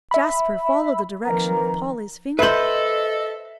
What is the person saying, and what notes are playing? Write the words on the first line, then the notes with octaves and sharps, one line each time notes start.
Jasper followed the direction of Polly's finger.
E5 B5
D#3 F3 A#3 C4 A#4 B4 A#5
A4 B4 C5 D#5 E5 F#7